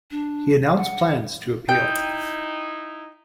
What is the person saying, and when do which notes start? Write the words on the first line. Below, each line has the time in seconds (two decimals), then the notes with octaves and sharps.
He announced plans to appeal.
0.11 D4
0.77 F#5
1.69 D#4 E4 G5